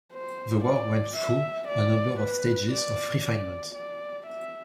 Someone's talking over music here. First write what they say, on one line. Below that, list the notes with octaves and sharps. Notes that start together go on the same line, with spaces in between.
The work went through a number of stages of refinement.
C5
D5
E5
D5
B4
D5
D5
D5
E5